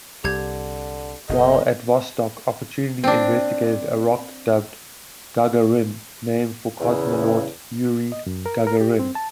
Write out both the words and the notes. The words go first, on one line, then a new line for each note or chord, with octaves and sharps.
While at Vostok, Opportunity investigated a rock dubbed "Gagarin", named for cosmonaut Yuri Gagarin.
C2 D3 G4 G6 G#6
F#1 A2 B3 A4 D#5
C4 D4
E2 C#3 E4
D#5
F#2
A#4
A#4
G4
C4
A5